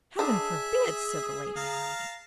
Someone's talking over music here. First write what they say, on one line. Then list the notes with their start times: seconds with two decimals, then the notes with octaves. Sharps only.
'Heaven forbid!' said the lady-in-waiting.
0.19 D4 G#4 A4 E5
1.57 F5 A5 A#5